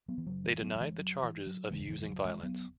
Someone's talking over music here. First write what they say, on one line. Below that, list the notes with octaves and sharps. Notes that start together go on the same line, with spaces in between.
They denied the charges of using violence.
F#3 B3
E3
F#1 F#2 C#3 F#3
E3 G#3
G#3
F#3 B3
F#3
E3 G#3
F#3
E3
F#3
F#1 E2 C#3 E3 G#3
E3 G#3
E3
F#3
E3 G#3
F#3 B3